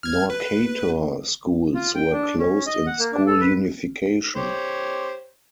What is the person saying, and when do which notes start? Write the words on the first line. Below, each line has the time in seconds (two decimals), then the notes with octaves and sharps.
Norcatur schools were closed in school unification.
0.03 F6 G#6
0.30 B4
1.75 F4
1.95 G5
2.13 D4
2.39 C#4
2.66 D#5
2.86 F#5
2.99 A#3
3.13 D4
3.27 A4
3.40 B4
4.36 G4 C5 C#5